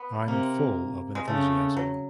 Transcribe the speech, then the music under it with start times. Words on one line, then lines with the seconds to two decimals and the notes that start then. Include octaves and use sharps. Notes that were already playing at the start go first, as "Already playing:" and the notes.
I'm full of enthusiasm.
Already playing: B3
0.28 C3 A#3
1.15 G#3
1.27 C#3 A3
1.77 F#3